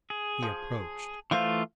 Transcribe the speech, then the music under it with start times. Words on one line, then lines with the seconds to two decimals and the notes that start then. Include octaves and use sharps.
He approached.
0.10 G#4
0.43 F3
1.31 E3 A3 F4 C5 E5 F5